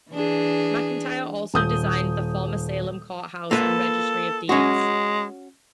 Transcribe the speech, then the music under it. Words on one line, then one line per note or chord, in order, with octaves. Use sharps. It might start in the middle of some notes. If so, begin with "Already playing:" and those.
McIntire also designed the former Salem Court House and Registry of Deeds.
E3 D4 G#4
D#1 D#6 G6
A#3 F4 A4 B4
G#3 C#4 F#4